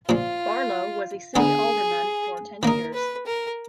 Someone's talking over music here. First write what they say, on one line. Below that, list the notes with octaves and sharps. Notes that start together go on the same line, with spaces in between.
Barlow was a city alderman for ten years.
A#2 F3 G#3 F4
D3 G#3 B3 D#4 G#4
D#3 A#3 D#4 A#4
B4
A#4